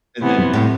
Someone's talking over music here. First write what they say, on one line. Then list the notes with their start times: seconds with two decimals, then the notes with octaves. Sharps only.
And then
0.21 C3 E3 B3
0.53 A2